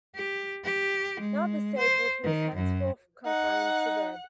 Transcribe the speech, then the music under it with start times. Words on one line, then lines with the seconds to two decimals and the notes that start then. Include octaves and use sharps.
Now disabled, he was henceforth confined to bed.
0.15 G4
0.64 G4
1.19 G#3
1.78 C5
2.24 D#3
2.55 F#2
3.26 D#4 F#5